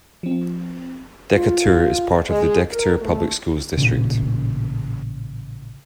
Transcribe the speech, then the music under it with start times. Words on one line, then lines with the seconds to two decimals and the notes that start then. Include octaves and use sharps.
Decatur is part of the Decatur Public Schools district.
0.23 F3 C4
1.35 F4
2.29 G#3
2.71 A#4
3.01 A3
3.77 A1 A#2 C#3